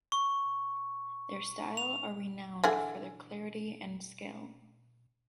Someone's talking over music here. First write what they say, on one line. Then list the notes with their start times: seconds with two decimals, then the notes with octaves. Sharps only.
Their style are renowned for their clarity and skill.
0.12 C#6
1.77 F7
2.64 D3 E3 G#4